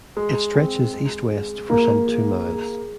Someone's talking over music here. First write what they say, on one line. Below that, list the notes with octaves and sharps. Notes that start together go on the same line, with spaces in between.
It stretches east-west for some two miles.
G#3
C4
G#3
G#3
A#3 F4
G#4
G#4